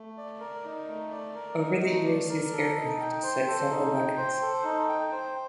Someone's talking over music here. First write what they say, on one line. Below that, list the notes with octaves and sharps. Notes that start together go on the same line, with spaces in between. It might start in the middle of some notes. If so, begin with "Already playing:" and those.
Over the years, his aircraft set several records.
Already playing: A3
D5
A#4
D#4
A3
D5
A#4
D#4
A3
D5
A#4
A4
D#4
G5
C5
A4
D#4
G5
C5
A4
D#4
G5
C5